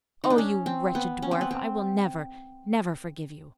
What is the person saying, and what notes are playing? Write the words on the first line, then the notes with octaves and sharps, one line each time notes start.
Oh, you wretched dwarf, I will never, never forgive you!'
D#4
D4
C#4
C4
B3
C#4
C4
B3
C4